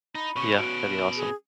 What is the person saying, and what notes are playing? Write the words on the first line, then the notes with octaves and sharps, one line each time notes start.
Yeah. That'd be awesome.
D#4 B5
B2 C#4 C#6
F#4 D7
G#4